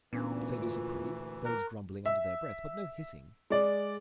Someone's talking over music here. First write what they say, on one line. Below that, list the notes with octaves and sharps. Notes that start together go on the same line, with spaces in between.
If they disapprove, there is grumbling under their breath, but no hissing.
D2 A#2 E3 B3 C#4 D4
F4
A#4 F#6
E5
G#3 D5